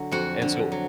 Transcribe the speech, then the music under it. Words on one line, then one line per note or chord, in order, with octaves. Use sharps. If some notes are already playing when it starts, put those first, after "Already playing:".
and so
Already playing: D3 F#3
F2 F#4 F#5
D3
F#3